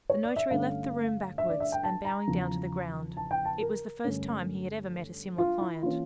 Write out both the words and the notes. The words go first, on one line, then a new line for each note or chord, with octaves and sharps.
The notary left the room backwards, and bowing down to the ground; it was the first time he had ever met a similar client.
C#5
D5
E5
G2 D3 A3 C#4 F5
E5
D5
E5
G5
A5
A#5
E2 C#3 F3
A5
G5
A5
A#4
G2 D3 A3 C#4
F4
E4
E3 A#3 C#4 F4